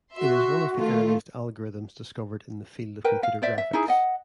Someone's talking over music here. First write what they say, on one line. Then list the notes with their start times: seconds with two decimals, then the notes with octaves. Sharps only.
It is one of the earliest algorithms discovered in the field of computer graphics.
0.15 F#4 E5 C6
0.78 D#3 A3 F4
3.04 A#4 B4 G5
3.23 F5
3.42 C5 D5 E5
3.58 E5
3.73 D#4 E4 G#4
3.88 D#5 F#5